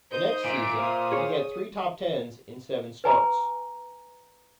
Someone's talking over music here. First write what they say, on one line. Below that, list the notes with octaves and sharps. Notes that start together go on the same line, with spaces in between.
The next season, he had three top-tens in seven starts.
D#4 C5 D#6 G6
A#2 E5 D7
C5 F5 D#6
G#4 C#5
B4 G#5 A#5